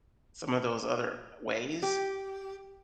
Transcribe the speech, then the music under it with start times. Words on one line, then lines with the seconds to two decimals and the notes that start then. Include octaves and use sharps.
some of those other ways,
1.83 G4